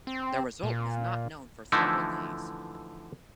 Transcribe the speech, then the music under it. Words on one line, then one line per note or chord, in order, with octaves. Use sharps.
The result was not known for several days.
C4
A#2
D3 E3 F3 A3 D#4 E4